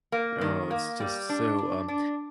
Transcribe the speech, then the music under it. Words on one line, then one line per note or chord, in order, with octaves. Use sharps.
Oh, it's just so, um
A#3
D#3
A#3
G3
D4
D4
D4